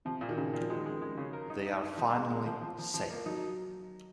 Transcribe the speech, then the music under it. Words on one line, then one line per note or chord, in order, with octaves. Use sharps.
They are finally "safe".
C3 F3
A#2
D#3
A#2 C#3
A#2
F3
D#3 G#3
G#3
G#3
C#3
A#4
D#4
D#4
D#4
F3
G#3
G#3
F3
F3
F3
F3
A#3
F#3 D#4